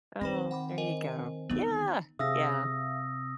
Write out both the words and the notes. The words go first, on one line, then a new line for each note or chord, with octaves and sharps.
Oh, there you go yeah, yeah.
D#3 C4 B4 B5 A#6
F#5 B5 D6
A#4 D#5 G#5
D3 D#3 B3
C3 G#4 E5 F5 D#6 E6 A#6